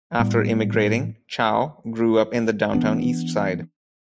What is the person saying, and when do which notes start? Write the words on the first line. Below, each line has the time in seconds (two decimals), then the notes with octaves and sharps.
After immigrating, Chow grew up in the Downtown Eastside.
0.19 A2 G3 B3
2.73 E3 B3 D4